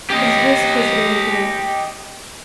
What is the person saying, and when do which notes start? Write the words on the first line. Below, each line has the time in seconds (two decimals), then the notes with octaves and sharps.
His risk was very great.
0.10 G4 D#5